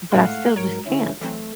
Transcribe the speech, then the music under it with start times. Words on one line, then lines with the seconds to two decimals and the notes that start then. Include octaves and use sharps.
but I still just can't.
0.12 A2 G#3 A3 F5 F#5 B5
0.56 G#2 F#3 A#4 C#5 D7
0.87 D3 C#4 E4
1.21 E3 F#3 A3 C4